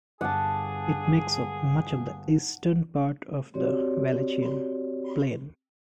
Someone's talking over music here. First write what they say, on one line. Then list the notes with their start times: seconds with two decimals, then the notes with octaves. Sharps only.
It makes up much of the eastern part of the Wallachian Plain.
0.21 G1 G#4 F#5 A5 D6
3.54 C4 F#4 G4 C#5 D5